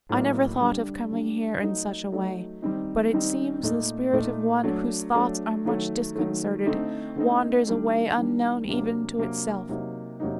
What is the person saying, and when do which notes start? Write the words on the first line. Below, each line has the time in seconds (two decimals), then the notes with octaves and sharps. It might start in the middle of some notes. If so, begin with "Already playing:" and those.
I never thought of coming here in such a way; but it seems the spirit of one whose thoughts are much disconcerted wanders away unknown even to itself.
0.09 A2 F#3 A#3 D#4
0.60 D3 G3 D4
1.11 D3 G3 D4
1.61 F#3 A3 D#4
2.12 F#3 A3 D#4
2.62 D#3 G3 C4 D#4
3.12 D#3 G3 C4 D#4
3.63 A#2 A3 D#4
4.13 A#2 A3 D#4
4.64 F#3 A3 D4
5.14 F#3 A3 D4
5.65 D#3 F#3 A3
6.16 D#3 F#3 A3
6.66 D3 A3 C4 D#4
7.16 D3 A3 C4 D#4
7.67 D#3 G3 D4
8.17 D#3 G3 D4
8.68 C3 F#3 A#3 D4
9.18 C3 F#3 A#3 D4
9.69 C3 F#3 A#3 D#4
10.20 C3 F#3 A#3 D#4